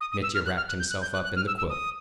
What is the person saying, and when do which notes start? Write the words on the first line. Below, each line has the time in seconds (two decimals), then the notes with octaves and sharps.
Mitya wrapped himself up in the quilt.
0.01 D#6
0.12 D#6
0.23 E6
0.34 F6
0.46 F#6
0.56 F6
0.68 F#6
0.79 G6
0.90 F#6
1.02 G6
1.13 F#6
1.24 F#6
1.36 F6
1.47 E6
1.58 E6
1.69 D#6